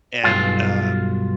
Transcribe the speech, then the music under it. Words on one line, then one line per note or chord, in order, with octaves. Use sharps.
and uh,
B1 G2 F4